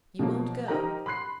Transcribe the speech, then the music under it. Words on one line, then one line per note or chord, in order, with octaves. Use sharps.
You won't go.
B2 F3 F#3 A#3
D#4 G4 A#4 C5 A#5
B5 C6 F#6 C7